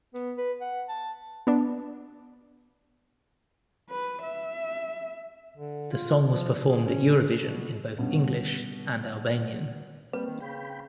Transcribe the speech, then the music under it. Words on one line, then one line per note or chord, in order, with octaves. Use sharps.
The song was performed at Eurovision in both English and Albanian.
B3
B4
F#5
A5
B3 D4
B4
E5
D3
F4
F3
G#4
C#4
B2
G2 B2 C#4
G3 A#3 C4 B4
D#3
C#3 G5 B5